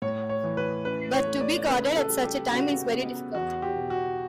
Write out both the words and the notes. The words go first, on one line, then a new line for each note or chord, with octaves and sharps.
But to be guarded at such a time is very difficult.
A2 C#5
C#5
E3
B4
C#4 B4
C#5
A3
D5
C#3 B4
A4
G3
G4
C#3 F#4
B3
E2 F#4
G4
B2
F#4